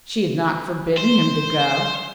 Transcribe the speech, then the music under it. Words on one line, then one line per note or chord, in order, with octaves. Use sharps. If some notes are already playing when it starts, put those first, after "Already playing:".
She had not forbidden him to go.
C5